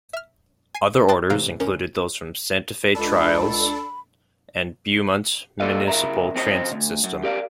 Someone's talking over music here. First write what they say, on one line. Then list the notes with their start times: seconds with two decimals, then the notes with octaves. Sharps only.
Other orders included those from Santa Fe Trails and Beaumont Municipal Transit System.
0.13 E5 F6
0.75 G#5 C7 D#7
1.08 G5 A5 C6 D#6 F#6 A6
1.30 A2 C3 E3 F5 A#5 D7
1.60 C#2 C#4 A#4
2.95 C#2 D4 A4 B5
5.60 G#2 A#3 A4 D5 D#5 F5
5.88 C#3 A#4 E5 A#5
6.35 F2 C4 F4 A4 C#5 D#5
6.72 D2
7.04 F#2
7.23 G4 A#4 D5 F5